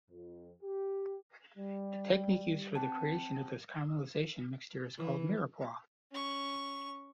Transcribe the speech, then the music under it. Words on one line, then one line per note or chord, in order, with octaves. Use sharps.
The technique used for the creation of this caramelization mixture is called mirepoix.
F2
G4
G3
C4 G5 A5
E3
C#4 C#6